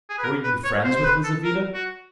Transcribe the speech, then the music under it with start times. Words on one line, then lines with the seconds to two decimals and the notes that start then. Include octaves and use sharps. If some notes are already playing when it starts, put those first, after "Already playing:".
"Were you friends with Lizaveta?"
0.09 G#4
0.18 B4
0.24 A#4
0.44 B4
0.64 C#5
0.84 C5
0.95 C5
1.04 B4
1.24 A4
1.44 A#4
1.74 F#4